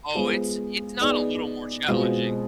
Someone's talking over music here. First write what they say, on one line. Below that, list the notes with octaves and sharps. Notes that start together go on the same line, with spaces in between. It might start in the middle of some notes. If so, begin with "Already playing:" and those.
Oh, it's it's not a little more challenging.
G#3 B3 F4 G#4 C5
B3 D#4 G#4 D5
B2 G#3 C4 F4